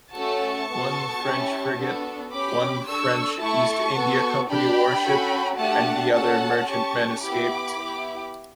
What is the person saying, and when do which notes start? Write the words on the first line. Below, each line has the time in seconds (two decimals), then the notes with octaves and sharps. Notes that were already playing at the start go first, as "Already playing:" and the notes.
One French frigate, one French East India Company warship and the other merchantmen escaped.
0.14 A3 C#4 F#4 A4 A5 C#6
0.69 B3 F#4 A4
1.22 C#4 E4 G4
1.77 B3 D4 F#4 A4
2.32 C#4 G4 B5 D6
2.86 D4 A4 C#6 E6
3.40 A3 E4 A4 A5 C#6
3.95 B3 F#4 A4
4.49 D4 G4 G5 B5
5.04 C#4 F#4 A4
5.57 A3 D4 G4 F#5 A5
6.12 C#4 F#4 A4 F#5 A5
6.67 C#4 G4 A5 C#6
7.21 B3 E4 G4 B5 D6
7.76 B3 E4 G4